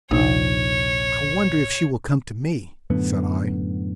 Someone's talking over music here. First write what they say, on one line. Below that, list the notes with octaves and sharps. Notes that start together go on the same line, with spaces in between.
"I wonder if she will come to me?" said I.
A#1 D#2 C3 D#4 C#5
F#2 A2 D3 B3